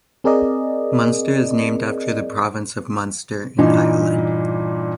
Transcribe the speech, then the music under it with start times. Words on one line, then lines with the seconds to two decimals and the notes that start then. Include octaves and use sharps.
Munster is named after the province of Munster, in Ireland.
0.24 C4 G#4 A#4 D5 D#5
3.58 G2 A#2 E3 D#4